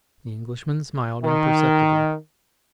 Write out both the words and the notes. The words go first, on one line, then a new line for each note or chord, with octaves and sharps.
The Englishman smiled imperceptibly.
D#3